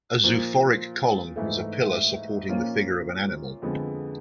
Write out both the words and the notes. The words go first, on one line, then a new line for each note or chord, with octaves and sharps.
A zoophoric column is a pillar supporting the figure of an animal.
A#2 F3 A#3
G#2 E3 A3
A#2 F3 A#3 C#4 F4
F2 D3 F3 G#3 B3